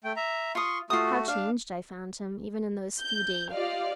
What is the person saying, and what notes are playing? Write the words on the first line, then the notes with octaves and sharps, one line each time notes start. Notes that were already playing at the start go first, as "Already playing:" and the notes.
How changed I found him, even in those few days!
A3 G5
E5 A#5
F4 C6 C#6 D#6
A3 F4 F#4 D#6
D4 F5
G6
F4 G4 D5 D#5 F5